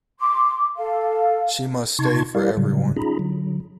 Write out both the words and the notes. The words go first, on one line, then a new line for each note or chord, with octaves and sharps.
She must stay for everyone.
C6 D6
A4 F5
C3 D#4 A5 C6 C#6 G#6
G3 E4 G4 A#4 D5 F5
A2 C#3 F#3 G3
C#4 D#4 F4 G#4 A#5 B5
D3 F#3